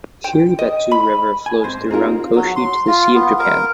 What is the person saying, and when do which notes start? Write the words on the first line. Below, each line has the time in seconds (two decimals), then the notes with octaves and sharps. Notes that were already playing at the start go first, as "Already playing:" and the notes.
Shiribetsu River flows through Rankoshi to the Sea of Japan.
0.24 G5
0.59 D#5
0.91 B5
1.46 G#5
1.64 G#2 C4 C5
1.91 C4 D#4 F4 G#4 A#4
2.35 F#3
2.56 C6
2.87 F4
3.15 B3
3.39 A#4